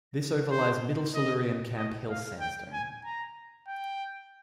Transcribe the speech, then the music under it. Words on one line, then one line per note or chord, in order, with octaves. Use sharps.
This overlies middle Silurian Camp Hill Sandstone.
C5
D#5
D#5
F5
G5
G#5
A#5
G5